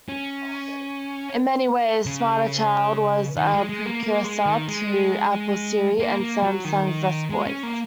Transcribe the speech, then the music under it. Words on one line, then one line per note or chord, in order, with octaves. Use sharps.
In many ways, SmarterChild was a precursor to Apple's Siri and Samsung's S Voice.
C#4
C#3
D#3
G#3
G#3
A#3
A#3
G#3
D#3
G#3
A#3
A#3
F#3
D#3
G#3
C#4
A#3